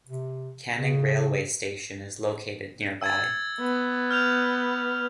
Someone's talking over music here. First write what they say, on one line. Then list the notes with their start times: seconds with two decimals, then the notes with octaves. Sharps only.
Canning railway station is located nearby.
0.07 C3
0.77 C#3
3.01 E6 G#6 A6
3.60 B3
4.11 F6 G6 F7